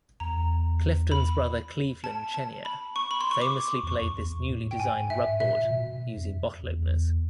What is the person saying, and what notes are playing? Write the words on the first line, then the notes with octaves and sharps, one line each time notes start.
Clifton's brother Cleveland Chenier famously played this newly designed rubboard using bottle openers.
E2 A#5
B5
A5
A5
B5
C#6
B5
C6
C#6
D6
E2
F2 C#6
E2
A2
G5
G#2 G#5
G#2 E5
A#2 E5
A#2
B2
F2
E2